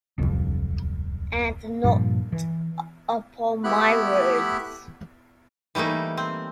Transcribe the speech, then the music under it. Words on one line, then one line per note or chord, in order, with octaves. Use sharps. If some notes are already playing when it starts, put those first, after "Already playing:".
And not upon my words.
D1 C2 F2
G2 A#2 F3
E3
A3 B3 E4 G4 B5 F#6
E3 G3 A3 A#3 D#4
C4